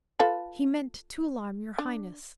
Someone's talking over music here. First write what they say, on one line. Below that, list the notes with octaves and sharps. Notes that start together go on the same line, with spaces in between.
"He meant to alarm your highness."
F4 A4 B4
D4